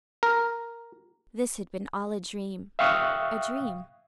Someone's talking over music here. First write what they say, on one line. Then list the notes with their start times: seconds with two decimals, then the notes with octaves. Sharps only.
This had been all a dream--a dream.
0.23 A#4
2.79 E5 F5 G5 C#6 D#6 F#6